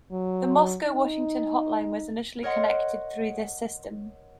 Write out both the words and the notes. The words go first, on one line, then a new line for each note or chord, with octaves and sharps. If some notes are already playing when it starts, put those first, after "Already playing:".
The Moscow-Washington hotline was initially connected through this system.
F#3
D#4
A#4 C#5 D#5 F#5 C6